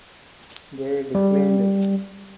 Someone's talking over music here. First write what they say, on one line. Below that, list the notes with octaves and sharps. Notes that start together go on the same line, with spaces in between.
They declined.
G3